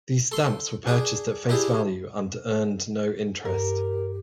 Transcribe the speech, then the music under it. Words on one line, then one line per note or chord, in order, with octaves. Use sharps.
These stamps were purchased at face value and earned no interest.
A4 C6
D4 G#4
D4 E4 G4 G#4
G2 G4 A#4